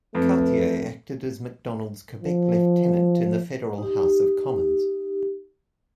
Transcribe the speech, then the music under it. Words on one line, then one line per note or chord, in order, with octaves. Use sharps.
Cartier acted as Macdonald's Quebec lieutenant in the federal House of Commons.
F2 A3 B4
F3
D#4 G4